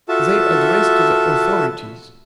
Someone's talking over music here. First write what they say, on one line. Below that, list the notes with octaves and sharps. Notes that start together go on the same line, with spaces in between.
They addressed to the authorities.
F4 F#4 A4 E5 A5